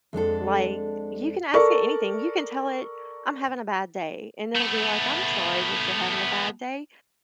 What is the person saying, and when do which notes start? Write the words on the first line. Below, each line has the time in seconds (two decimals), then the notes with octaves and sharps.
like, you can ask it anything, you can tell it, "I'm having a bad day," and it'll be like, "I'm sorry that you're having a bad day,
0.13 F2 G#3 D4 A4
1.54 A4 A#4 D5 C#6
4.56 A3 B3